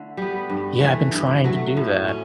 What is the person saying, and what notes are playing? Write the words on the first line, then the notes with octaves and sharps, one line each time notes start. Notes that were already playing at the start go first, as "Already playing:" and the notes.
Yeah, I've been trying to do that.
Already playing: D3 A3 E4
G3 B3
G2
E3 A3
G2
F#3 A3
A2
C#4